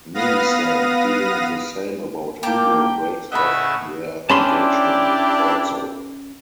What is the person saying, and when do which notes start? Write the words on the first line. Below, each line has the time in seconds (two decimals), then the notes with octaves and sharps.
Millicent, feeling the same about Hugo, breaks off their engagement also.
0.14 B3 B4 F5 D#6 A#6
2.43 A#3 G4 G5 A5 D6
3.32 A2 C#3 D#5 E5 F#5 B5
4.30 C#4 D4 E4 G4 D5 A5 B5 C6